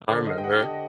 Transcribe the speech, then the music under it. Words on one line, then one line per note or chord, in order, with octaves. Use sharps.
I remember.
D3 C5
D#5
D3
G5
F#5
G4
A5